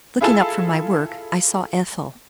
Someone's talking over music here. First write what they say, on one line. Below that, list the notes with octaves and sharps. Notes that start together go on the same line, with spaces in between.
Looking up from my work, I saw Ethel.
E4 F4 G#4 A4 A5 E6